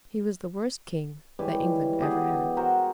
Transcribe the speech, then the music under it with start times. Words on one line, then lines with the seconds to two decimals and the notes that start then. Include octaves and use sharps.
He was the worst king that England ever had.
1.39 E3 G3 G#3 C#5
2.00 B2 G4 G#4
2.57 F#4 A#4 C5 F#5